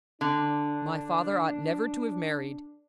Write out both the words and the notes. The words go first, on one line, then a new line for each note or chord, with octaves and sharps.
My father ought never to have married.
D3 D4